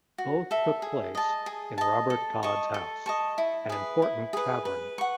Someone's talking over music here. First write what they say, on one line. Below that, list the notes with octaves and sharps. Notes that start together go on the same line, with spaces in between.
Both took place in Robert Todd's house, an important tavern.
F#4
A4 E5
G#4
D#5 A5
G#4
D#5 A5
A4
D#5 A5 C#6
A4
D#5 A5 C#6
E4
G#4 B4
E4
G#4 B4
B4
F#5 C#6